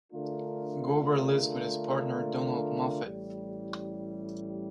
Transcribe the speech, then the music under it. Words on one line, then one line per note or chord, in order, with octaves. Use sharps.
Gober lives with his partner Donald Moffett.
D3 A3 D4 F4 A#4
A1 A2 G3